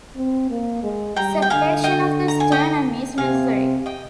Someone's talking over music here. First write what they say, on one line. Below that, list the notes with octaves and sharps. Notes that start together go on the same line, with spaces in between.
Separation of the sternum is necessary.
C4
A#3
G#3
G3 G5 A#5
G5
D3 F5 G#5
D#5 G5
A#5
G#5
D#5 G5
C3 F5 G#5
D#5 G5